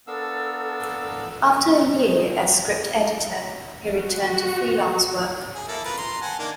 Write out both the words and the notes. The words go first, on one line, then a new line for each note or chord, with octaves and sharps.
After a year as script editor he returned to freelance work.
B3 D4 A4 A#4 F5 E6
F#4
G#4
A#3 E4 A4
F4 A#4 B4
A#5 C6
F#5 G#5 A5
D#3 A#3 D4